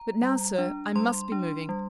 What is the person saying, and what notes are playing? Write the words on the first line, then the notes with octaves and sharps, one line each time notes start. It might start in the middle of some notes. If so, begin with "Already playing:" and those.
But now, sir, I must be moving.
Already playing: A#5
G3
D4
G3 C6
D4
G3